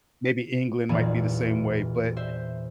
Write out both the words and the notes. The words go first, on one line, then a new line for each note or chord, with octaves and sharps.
maybe England might be the same way. But,
B1 E2 A#2 E3 G#6
C5 E5